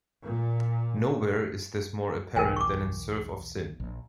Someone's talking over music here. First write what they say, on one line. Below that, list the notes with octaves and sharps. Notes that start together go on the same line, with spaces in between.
Nowhere is this more apparent than in Surf Of Syn.
A#2
B1 E2 A#4 G5 G#5
C#6 D6
A#1